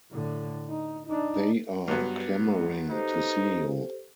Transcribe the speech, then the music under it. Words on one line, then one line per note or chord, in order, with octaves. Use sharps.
They are clamouring to see you.
A2 D3
D#4
D4 D#4
G2 F#3 B3
D#4 G4 A4 C5